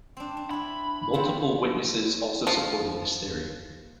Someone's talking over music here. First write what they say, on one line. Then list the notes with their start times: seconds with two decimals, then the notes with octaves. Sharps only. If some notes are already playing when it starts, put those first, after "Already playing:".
Multiple witnesses also supported this theory.
0.17 C4 D4
0.37 D4
0.51 D4 E4 B5
1.13 F2 C4 E5
2.47 F3